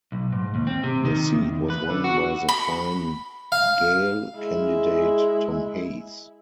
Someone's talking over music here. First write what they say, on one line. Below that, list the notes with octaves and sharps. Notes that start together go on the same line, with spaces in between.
The seat was won by the Fine Gael candidate Tom Hayes.
B1
G#2
D#2
C4
C3
D#3
E2
B4
D3
F#4
B5
F5
G#3 E4